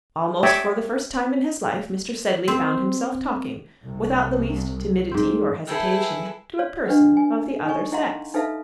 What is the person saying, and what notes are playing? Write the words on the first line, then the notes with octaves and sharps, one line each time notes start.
Almost for the first time in his life, Mr. Sedley found himself talking, without the least timidity or hesitation, to a person of the other sex.
G4 C#5 D5 E5 G5
C4
C2
G#2 C4
E4 G#4 A4 B4 G5
C#5 D5 F5
D4 G4 B4 D#5 F#5
G#5
D#4 A4 D#5 G#5 C#6
E4 D#5 F5 F#5 A#5 C6
D#4 A4 B4 E5 F5 A5